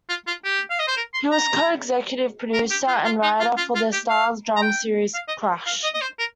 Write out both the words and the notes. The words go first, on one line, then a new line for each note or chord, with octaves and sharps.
He was a co-executive producer and writer for the Starz drama series "Crash".
F4
F4
G4
F5
D#5
C5
A#4
C6
A#5
A#4
G4
F4
F4
D#4
F4
F4
F4
G4
F5
A#5
G5
F5
D#5
F5
D#5
D#5
C5
A#4